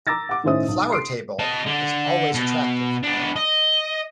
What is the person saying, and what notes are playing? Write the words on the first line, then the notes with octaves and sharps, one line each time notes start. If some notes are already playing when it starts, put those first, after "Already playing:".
The flower-table is always attractive, you know.
A#5 D6 E6 A6 A#6
F#5 D6
A2 D#3 C#4 C5 E5 D#6
B1
C6 C7 D7
D#5 A5
D3
B2
B3 D4
D#5